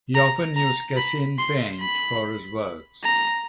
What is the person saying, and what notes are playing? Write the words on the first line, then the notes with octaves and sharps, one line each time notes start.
He often used casein paint for his works.
A#5
A#5
B5
C6
B5
A#5